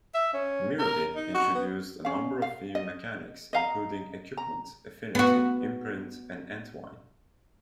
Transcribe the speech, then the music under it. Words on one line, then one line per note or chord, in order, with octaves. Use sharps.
"Mirrodin" introduced a number of new mechanics, including Equipment, Affinity, Imprint and Entwine.
E5
C#4
A#4
D#4
F#4
B3
C#4 F5
F5
D#5
D#5 F5 A#5
A#5
B3 F#4